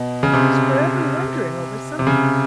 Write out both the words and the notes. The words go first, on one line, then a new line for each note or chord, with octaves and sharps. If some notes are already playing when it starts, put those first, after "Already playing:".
She was forever wondering over something.
Already playing: B2
C#3
C3
C3
C#3